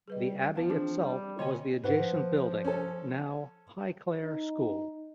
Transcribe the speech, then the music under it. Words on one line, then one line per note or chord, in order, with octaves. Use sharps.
The abbey itself was the adjacent building, now Highclare School.
G3 G#4 B4 D#5
E2 F3 F5 A5
E3 C4 D4 G#4
G3
D3 A#3 C#5 D#5 G5 G#5
G#2 B4 F#5
F3
C#4 A4
D#4